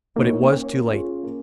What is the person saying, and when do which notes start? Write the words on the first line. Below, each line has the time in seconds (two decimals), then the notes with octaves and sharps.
But it was too late.
0.16 A#3 D#4 A#4 C#5
0.52 A#3 C#4
0.88 F4 G#4 C#5
1.23 A#3